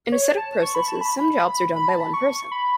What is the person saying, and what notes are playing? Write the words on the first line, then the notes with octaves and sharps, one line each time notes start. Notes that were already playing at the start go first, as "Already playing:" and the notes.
In a set of processes some jobs are done by one person.
C#5
A5
C#6
B5
A5
B5
B5
B5
A5
B5
C#6
B5